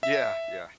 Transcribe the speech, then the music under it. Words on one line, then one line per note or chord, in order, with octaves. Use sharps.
Yeah, yeah.
E5